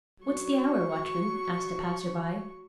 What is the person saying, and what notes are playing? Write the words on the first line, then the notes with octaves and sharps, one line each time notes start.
"What's the hour, watchman?" asked a passer-by.
F#3 C#6